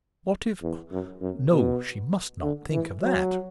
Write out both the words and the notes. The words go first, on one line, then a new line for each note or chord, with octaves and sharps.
What if--no, she must not think of that!
E2
F#2
F#2
B2
D3
E3
F#3